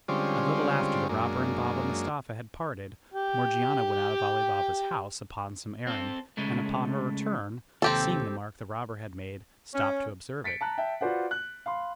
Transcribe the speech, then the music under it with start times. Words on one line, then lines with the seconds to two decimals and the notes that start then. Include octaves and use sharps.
A little after the robber and Baba Mustapha had parted, Morgiana went out of Ali Baba's house upon some errand, and upon her return, seeing the mark the robber had made, stopped to observe it.
0.08 D3 G3 G#3 C4 C#4 F4
1.09 F#2 G#3 A#3 D4
3.12 G4 G5
5.87 C4 A4
6.37 C#3 G#3 A3
7.82 D#2 C3 C4 G4 A4
9.74 C#4
10.44 A6 B6 C#7 D7
10.61 A5 A#5 F#6
10.77 E5 G5 A5
11.01 F4 F#4 B4 C5 D5 F#5
11.31 F#6
11.66 F5 B5 C6